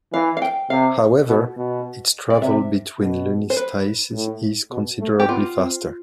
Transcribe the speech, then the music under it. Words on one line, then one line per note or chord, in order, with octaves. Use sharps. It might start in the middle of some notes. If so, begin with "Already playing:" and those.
However, its travel between lunistices is considerably faster.
E3 F5
F5
G5
C3 F5
B2
B2
D5
C3 E5
B2
C5
B4
A2
B2
A3
G4
B3 F4
C4